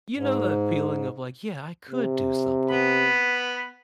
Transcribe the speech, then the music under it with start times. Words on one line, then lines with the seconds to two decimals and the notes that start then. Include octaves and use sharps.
You know that feeling of like, "Yeah, I could do something,"
0.16 G#2
1.91 C3
2.70 B3 B5